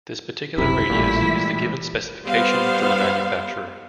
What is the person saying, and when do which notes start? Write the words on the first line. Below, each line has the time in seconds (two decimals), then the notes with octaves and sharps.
This particular radius is the given specification from the manufacturer.
0.58 G1 C#2 F#2 C3 E4 B6
0.90 A1 A#2 G3 A3
1.22 E3 G#3
2.25 G3 B3 C5 F5